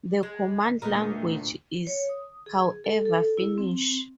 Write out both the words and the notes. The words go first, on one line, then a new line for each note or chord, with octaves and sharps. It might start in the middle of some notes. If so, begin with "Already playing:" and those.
The command language is, however, Finnish.
G#3
D2 A#2 B3 D#4 A#4
C#5
D#6
G#4
A4
A4
E4
C4